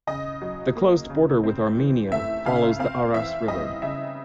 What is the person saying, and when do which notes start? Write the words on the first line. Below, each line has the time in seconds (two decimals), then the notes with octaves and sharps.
The closed border with Armenia follows the Aras River.
0.07 C#3 D#5
0.42 F#3
0.75 A#3
1.10 C#3
1.44 C4
1.77 E3
2.12 A3 E5
2.45 C#3 F5
2.79 C4 F5
3.14 E3 E5
3.48 G3 D#5
3.82 C#3 E5